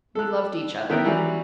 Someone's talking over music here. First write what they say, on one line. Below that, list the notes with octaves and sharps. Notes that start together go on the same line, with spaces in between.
We loved each other.
A4 F#6
D#3 B3 E4 A#4 G5
E3 F#3 G3